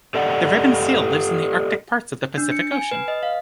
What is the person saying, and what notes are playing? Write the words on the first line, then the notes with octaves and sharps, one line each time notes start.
The ribbon seal lives in the Arctic parts of the Pacific Ocean.
G4 A4 D5 D#5 F#5
D4
C#7
G#5
B4
D#5
F5